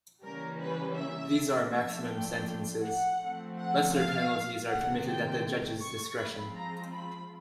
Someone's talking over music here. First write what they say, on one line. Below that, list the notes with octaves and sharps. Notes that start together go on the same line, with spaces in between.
These are maximum sentences; lesser penalties are permitted at the judge's discretion.
C#3 E3 G3 A#3 C#4 A#4
B4
E5
A2 F3 A3 D4 F4 E5
G5
F#5
F3 A3 C4
F#5
F5
C3 D#3 G#3 F#5
G5
C#6
F3 G#3 C4 F4 B5
A#5
B5